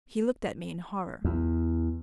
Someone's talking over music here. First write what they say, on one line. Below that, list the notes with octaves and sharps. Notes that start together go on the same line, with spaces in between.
He looked at me in horror.
E2